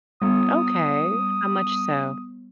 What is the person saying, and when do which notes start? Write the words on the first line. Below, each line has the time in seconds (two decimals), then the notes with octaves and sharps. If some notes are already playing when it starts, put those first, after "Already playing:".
Okay, how much so?
0.22 G3 B3 D#6